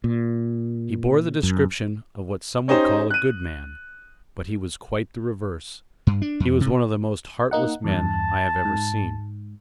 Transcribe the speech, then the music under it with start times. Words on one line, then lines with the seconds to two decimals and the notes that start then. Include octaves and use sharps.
He bore the description of what some would call a good man, but he was quite the reverse; he was one of the most heartless men I have ever seen.
0.04 A#2
1.43 F#2
2.68 C#4 D#4 G4 C5
3.10 F#6 D#7
6.07 G2
6.22 D4
6.40 F2
6.61 C3
7.51 A#3 D#4 F#5
7.84 E2 G2 A5
8.65 G#2